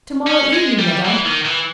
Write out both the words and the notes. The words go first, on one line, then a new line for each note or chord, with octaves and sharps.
"To-morrow evening, madam."
C#4
G#3
G3
E3
D#3
E3